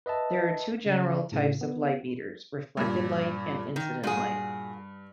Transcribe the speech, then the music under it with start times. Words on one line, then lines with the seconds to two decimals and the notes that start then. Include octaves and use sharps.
There are two general types of light meters: reflected-light and incident-light.
0.06 B4 D#5 E5 A5
0.86 C#3
1.32 A2 C#3
1.61 B3
2.77 G2 A#2
3.76 D#3
4.03 G2 A#2 F#4 G#4